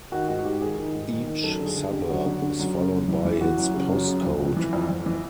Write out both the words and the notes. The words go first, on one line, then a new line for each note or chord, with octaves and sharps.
Each suburb is followed by its postcode.
D#3 F#4
G#2 F#4
G#2 G4
D#3 G#4
D#3
G#2
D#3
D#3
F#2 A4
D3 G#4
D3
G4
D3
F#2 F#4
D3
D3
F#2
C#3
F#2
E3
E3
E3 F#4
F#2
C#3
F#2
C#3
F2
F2
E3
F2
F2
E3